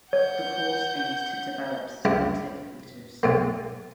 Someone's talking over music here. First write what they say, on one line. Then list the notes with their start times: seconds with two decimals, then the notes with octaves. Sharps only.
The course aims to develop scientific literacy.
0.13 C#5 F#5 G6
2.05 C#2 G2 G#3 E4 F5
3.23 B1 G#2 A#3